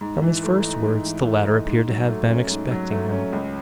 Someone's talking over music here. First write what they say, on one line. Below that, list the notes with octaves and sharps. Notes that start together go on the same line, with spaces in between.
From his first words, the latter appeared to have been expecting him.
G#2
E3
A3
D#4
G#2
E3
A3
D#4
G#2
F#3
A3
C#4
G#2
F#3
A3
C#4
C#2